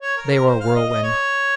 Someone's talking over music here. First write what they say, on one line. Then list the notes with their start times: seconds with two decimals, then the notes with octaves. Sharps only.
They were a whirlwind.
0.01 C#5
0.17 A#4
0.31 A#4
0.45 C5
0.60 F5
0.75 D#5
0.89 D#5
1.03 C#5